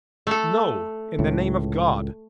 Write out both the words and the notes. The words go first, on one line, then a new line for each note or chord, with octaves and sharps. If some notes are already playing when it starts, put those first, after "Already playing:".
No, in the name of God!
A3 A4
C#2 A2